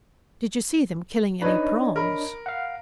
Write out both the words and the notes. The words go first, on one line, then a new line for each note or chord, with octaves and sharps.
"Did you see them killing any prawns?"
D4 D#4 B4 C#5 D#5
A#4 B5
F5 F#5